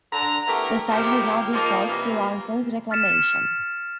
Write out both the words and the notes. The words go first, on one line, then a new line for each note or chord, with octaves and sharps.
The site has now been sold to Ronsons Reclamation.
D3 A#5
A3 B3 E4 G4 A#4
C3 D#3 F3 G#3 E4 G4
F3 A#3 D#4
C3 E3 G3 A#3
F6 A6 B6 C#7 E7